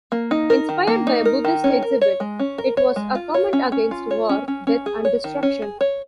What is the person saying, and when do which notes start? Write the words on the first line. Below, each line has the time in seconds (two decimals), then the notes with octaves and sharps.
Inspired by a Buddhist exhibit, it was a comment against war, death and destruction.
0.12 A#3
0.31 D#4
0.50 A#4
0.69 D#3
0.87 A#3
1.07 D#4
1.25 A#4
1.45 D#3
1.64 C#4
1.83 A#4
2.01 C#5
2.20 G#3
2.40 C#4
2.58 A#4
2.77 C#5
2.96 G#3
3.15 F4
3.34 C#5
3.53 C#4
3.72 C#4
3.91 F4
4.11 C#5
4.29 C#4
4.48 C#4
4.67 C#4
4.86 G#4
5.05 C#5
5.24 D#3
5.43 C#4
5.62 G#4
5.81 C#5